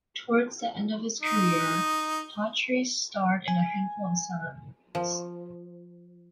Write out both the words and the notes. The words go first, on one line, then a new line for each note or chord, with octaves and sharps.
Towards the end of his career Hawtrey starred in a handful of silent movies.
D#4
G#5
F3